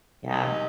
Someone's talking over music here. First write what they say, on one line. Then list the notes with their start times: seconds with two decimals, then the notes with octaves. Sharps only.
Yeah, m
0.29 C3 D#3 G#3 D#4